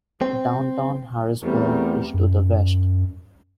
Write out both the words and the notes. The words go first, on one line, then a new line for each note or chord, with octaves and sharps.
Downtown Harrisburg is to the west.
C4
E2 G3 A3 C4 A#4
F#2